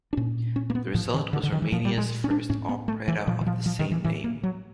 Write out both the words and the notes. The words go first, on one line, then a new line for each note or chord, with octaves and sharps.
The result was Romania's first operetta of the same name.
D4
A#2 C#4
C#4
A#3
B3
A2 F3
D#3
D3
D3
D#3
E3
A#2 F3
G3
G#3
C#4
D4
A2 C#4
B3
A3
E3
A#2 F3
E3
F3
F3
D#3
E3
A2 E3
A#3
F#3